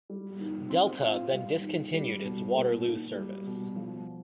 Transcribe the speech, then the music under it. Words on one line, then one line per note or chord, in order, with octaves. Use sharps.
Delta then discontinued its Waterloo service.
G3
D#3
C4
F4
G3
D#3
G3
B2
A#3
D#4
G3
B2
F3